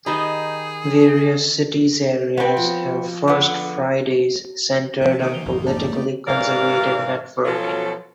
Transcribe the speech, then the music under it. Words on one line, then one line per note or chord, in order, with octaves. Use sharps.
Various cities areas have First Fridays centered on politically conservative networking.
D#3 D#4 G4 G#4 D#5 E5 B5
B3 C4 B4 G5
F3
D3 B3
C3 F3 E5 A5
C3 D#3 A#3 D#4 C5 D#6
E3 F7 G7
G#1 F2
A#3 D#4 G4 D5 A5
A3 B3
G#2 E3 D4 A#4 D5 F5
B2 F3 F#3 C#4 F4 A4